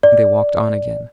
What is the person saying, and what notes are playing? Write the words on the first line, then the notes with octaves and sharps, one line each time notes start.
And they walked on again.
D5